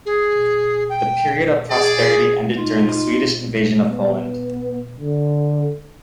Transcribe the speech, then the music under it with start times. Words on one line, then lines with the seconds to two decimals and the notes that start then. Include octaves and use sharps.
The period of prosperity ended during the Swedish invasion of Poland.
0.06 G#4
0.89 G5
1.70 G#4 D5
2.58 D#4 F4
3.89 B3
5.00 D3